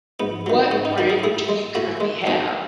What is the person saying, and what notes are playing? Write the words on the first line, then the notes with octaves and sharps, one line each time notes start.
What brand do you currently have?
G#2 B3
D#3 F#3
G#2 C#4
D#4
D#3 F#3 F#4
G#4
A2 G#4
G#3
A2 F#4
G#3
B2 D#4